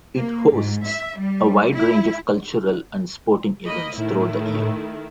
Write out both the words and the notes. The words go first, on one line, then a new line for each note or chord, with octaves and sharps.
It hosts a wide range of cultural and sporting events throughout the year.
A#3
G#2
E5
G3
E4
A#3 D#5 B5
A2 D#3 A3 E4